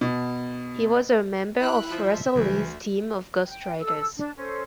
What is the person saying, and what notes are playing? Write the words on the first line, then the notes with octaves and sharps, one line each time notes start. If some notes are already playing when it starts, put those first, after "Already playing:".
He was a member of Russell Lee's team of ghost writers.
B2
E4 G5 B5 F#6
F3 E5
D2 C#3 E3 F#3 G3
G5
A4 E6
D4 A5
C#4 A4 C5